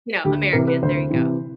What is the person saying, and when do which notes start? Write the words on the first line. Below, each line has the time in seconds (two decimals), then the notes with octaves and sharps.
you know, American. There you go.
0.24 D2 G4
0.53 C3 E3 A#4
0.67 B4
0.82 D2 C5
1.10 C3 E3